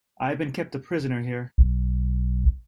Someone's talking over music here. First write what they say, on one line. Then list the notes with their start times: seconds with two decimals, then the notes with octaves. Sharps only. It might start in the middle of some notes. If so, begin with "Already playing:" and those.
I have been kept a prisoner here.
1.58 B1